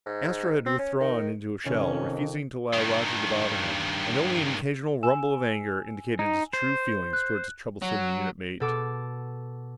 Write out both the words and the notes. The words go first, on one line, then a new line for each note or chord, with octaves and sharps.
Astro had withdrawn into a shell, refusing to allow Roger to bother him and only an occasional rumble of anger indicated his true feelings toward his troublesome unit-mate.
G#2
C4
C#4
D#3
F2 C3 D#3 C#4
G2 D#3
G#5 E6 E7
D#4
C5
F#6
F#3
B2 A4 D6